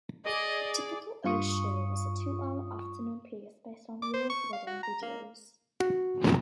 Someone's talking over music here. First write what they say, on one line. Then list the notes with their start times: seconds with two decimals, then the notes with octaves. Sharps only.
A typical early show was a two-hour afternoon piece based on viewers' wedding videos.
0.24 G#4 D5 D#5
1.25 G2 F4 C#6 D#6
4.02 D6
4.14 C5
4.30 C#6
4.53 F5
4.67 F#4
4.83 A#5
5.02 A#3
5.80 F#4